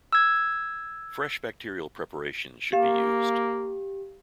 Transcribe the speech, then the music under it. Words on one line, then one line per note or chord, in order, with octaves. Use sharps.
Fresh bacterial preparations should be used.
E6 G#6
A#3 G4 F5